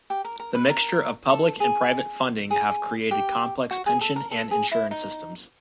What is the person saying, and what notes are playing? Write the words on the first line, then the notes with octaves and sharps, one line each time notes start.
The mixture of public and private funding have created complex pension and insurance systems.
G4
A#4
A#4
B4
A#4
A4
G#4
G#4
G4
F#4
G#4
A4
A#4
A4
G#4
E4
D#4